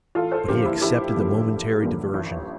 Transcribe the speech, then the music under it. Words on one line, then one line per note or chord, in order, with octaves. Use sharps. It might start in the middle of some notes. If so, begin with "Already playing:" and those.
But he accepted the momentary diversion.
A1 F4 A4
A4 C5
G2 D3 F3 A#3 G4 A#4
E4 G4
A1 E4 G4
G2 D3 F3 A#3
A1
G2 D3 F3 A#3
A1